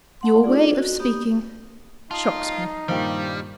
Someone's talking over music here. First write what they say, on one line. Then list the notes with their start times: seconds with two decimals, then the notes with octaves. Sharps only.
'Your way of speaking shocks me.
0.21 A3 F#5 C6
0.43 D4 D#4 F4 G#4 D5
0.75 F#4
0.99 A#3 B3 G4 D#6
2.11 D#4 F4 A5 D#6
2.88 G2 A#2 D#3 G3 C5 F5 G5